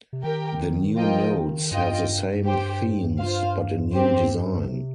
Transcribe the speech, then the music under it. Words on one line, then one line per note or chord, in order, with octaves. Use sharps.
The new notes have the same themes but a new design.
C3
D#3 G4 A#4 G5
F3 A#3 F4 D#5 G5
D#3
G2 F4 D#5 G5
G4 C5 G5
F4 C5 F5
C4 G4 C5
C3